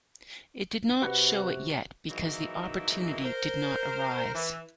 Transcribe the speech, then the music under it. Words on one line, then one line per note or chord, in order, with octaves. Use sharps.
It did not show it yet, because the opportunity did not arise.
C3 F#4 B4 F#5
G#2 E3 F#3 A#3 D#4 E4
A#4 C5
E3